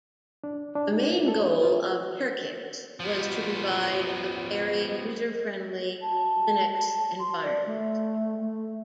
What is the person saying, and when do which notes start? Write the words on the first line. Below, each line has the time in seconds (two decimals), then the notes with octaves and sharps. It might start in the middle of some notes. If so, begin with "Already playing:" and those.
The main goal of Turkix was to provide a very user-friendly Linux environment.
0.44 D4
0.75 D4
0.93 D#4
1.11 E4
1.28 A4
1.40 C#5
1.63 F4
3.00 F3 B3
6.02 A5
7.19 C6
7.43 D5
7.66 A3
8.41 A3